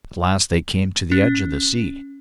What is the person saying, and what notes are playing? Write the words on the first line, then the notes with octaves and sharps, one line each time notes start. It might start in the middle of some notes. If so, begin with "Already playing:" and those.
At last they came to the edge of the sea.
C#4